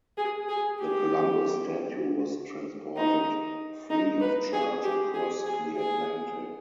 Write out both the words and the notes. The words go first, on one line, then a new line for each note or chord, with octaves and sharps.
The Columbus statue was transported free of charge across the Atlantic.
G#4
G#4
G4
D#4
D#4
B4
G#4
G4
G#4
G#4
G#4